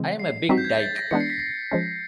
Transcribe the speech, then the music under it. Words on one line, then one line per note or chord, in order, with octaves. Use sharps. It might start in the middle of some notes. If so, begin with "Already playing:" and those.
I'm a big dyke.
Already playing: C#3 E3 G#3 C4
C7
G3 C4 D#4 F#4 B6
G6
G#6
A6
A#6
E3 G#3 B3 D4 C#7
C7
B6
C7
F3 G#3 C#4